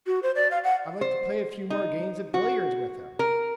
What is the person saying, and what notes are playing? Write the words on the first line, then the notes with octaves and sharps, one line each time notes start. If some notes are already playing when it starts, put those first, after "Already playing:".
I'd like to play a few more games at billiards with him.
F#4
C5
D5
F5
F#5
C5
D#4
F#4
A#4